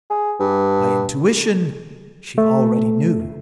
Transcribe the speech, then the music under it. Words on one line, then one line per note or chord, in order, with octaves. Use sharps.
By intuition, she already knew.
G#4
G2
A3